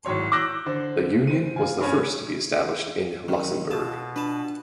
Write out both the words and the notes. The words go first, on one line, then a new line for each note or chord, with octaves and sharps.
The union was the first to be established in Luxembourg.
G#1 A2 F#3 C#5 C6
D6 E6 F#6 G6 A#6
D3 C5
C5 D#7
F4 G#5
G2 C#4 G#5
D#3 F#3 C#4
B2 F4 A5
D4 B4 A5